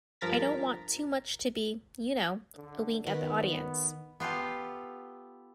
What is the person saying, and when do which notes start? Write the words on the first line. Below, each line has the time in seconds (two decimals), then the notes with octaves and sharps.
I don't want too much to be, you know, a wink at the audience.
0.21 G2 F3 A#4 A#5 A6 B6
2.56 D3
3.06 D#3 B3 B4
4.20 B3 F4 G4 A4